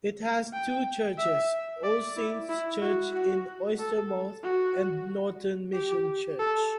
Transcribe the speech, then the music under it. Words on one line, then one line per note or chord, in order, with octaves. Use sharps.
It has two churches: All Saints Church in Oystermouth and Norton Mission Church.
G5
E5
D5
E4
E4
F#4
F#4
A4
F#4
G4
A4